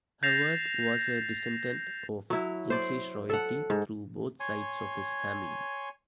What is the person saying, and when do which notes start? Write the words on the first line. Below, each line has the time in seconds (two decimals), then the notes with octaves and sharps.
Howard was a descendant of English royalty through both sides of his family.
0.23 G6 A6 A#6 C7 E7 F7
2.30 F#3 E4
2.70 C5 D5
3.30 A4 F#5
3.70 G#2
4.40 C#5 G#5 C6